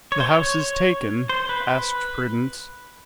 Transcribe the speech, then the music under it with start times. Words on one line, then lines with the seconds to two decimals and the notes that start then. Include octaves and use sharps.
"The house is taken?" asked Prudence.
0.12 C#5
0.20 C5
0.27 C#5
1.29 C5
1.49 B4
1.69 B4